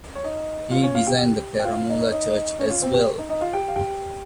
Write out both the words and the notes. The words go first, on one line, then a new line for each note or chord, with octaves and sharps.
He designed the Parumala Church as well.
C#5
D#4 D#5
F4 F5
C#4 C#5
F4 F5
G4 G5
G5
F4 F5
D#4 D#5
C#5
D#4 D#5
C#4 C#5
F4 F5
C4 C5
G4 G5
D#4 D#5
D#4 D#5
F4 F5
G4 G5
F5
G4 G5